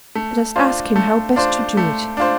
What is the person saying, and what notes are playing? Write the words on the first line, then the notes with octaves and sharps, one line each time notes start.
Let us ask him how best to do it.'
A3
D4 F4 C5
A3
D4 F4 C5
A3
D4 F4 C5